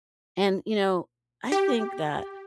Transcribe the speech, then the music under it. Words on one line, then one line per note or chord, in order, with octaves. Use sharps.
and, you know, I think that,
G4